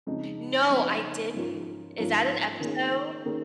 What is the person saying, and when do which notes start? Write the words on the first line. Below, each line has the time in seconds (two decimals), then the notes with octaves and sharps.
No, I didn't. Is that an episode?
0.07 F2 C#3 G#3 D#4
0.70 F2 C#3 G#3 D#4
1.34 G#2 F3 C#4 F4 A#4
1.98 G#2 F3 C#4 F4 A#4
2.61 D#3 A#3 C#4 G#4
3.25 D#3 A#3 C#4 G#4